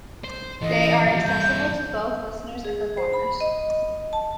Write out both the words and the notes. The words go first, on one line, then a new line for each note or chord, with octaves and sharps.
They are accessible to both listeners and performers.
C5
E3 A3 D#5
F3 G3
G2 E4 G6
G#4
C5
B5
D#5
A5